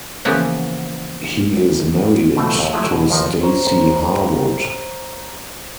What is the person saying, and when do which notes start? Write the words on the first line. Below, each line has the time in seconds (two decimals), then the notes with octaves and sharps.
He is married to Stacey Harwood.
0.25 C#3 E3 F3 A#3 B3
2.36 B2 E3 A3 C4 F4
2.59 D#2 C3
2.73 F3 F#3 G#3 A3 E4
2.91 B2
3.10 D#2 D#3 F3 A#4 B4
3.41 C5 C#5 A#5